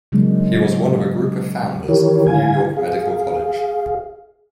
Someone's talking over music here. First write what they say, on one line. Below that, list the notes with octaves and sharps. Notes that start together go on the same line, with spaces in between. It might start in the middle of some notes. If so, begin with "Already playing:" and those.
He was one of a group of founders of New York Medical College.
C#3 F#3 G#3 A#3 D4
D#3 E3 E4 G4 A#4 C#5
D3 E4 F5 G#5 G#6
G#4 F5